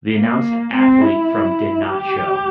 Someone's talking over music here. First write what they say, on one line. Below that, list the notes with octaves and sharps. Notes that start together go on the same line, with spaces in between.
The announced athlete from did not show.
A#3
C4
E4
G4